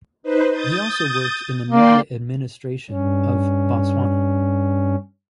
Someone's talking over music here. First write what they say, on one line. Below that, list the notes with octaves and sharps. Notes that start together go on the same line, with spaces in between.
He also worked in the media administration of Botswana.
D#4 B4 C5
D#6 G6 A6
A#3 D5 G5 C6
G2 C#4